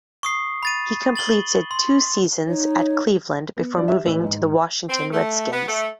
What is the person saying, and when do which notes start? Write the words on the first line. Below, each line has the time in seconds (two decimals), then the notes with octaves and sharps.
He completed two seasons at Cleveland before moving to the Washington Redskins.
0.23 C#6 D#6 C7
0.63 B5 A6 D#7
1.16 A6 F#7 G7
1.71 C6
2.47 D#4 C#5
3.57 B3
3.77 F3 F#3 D4 D5
3.88 G4 E5
4.06 A1 E3 E4 B4 C#5 E6
4.24 G#2
4.89 C4
5.12 A3
5.52 B3
5.68 A3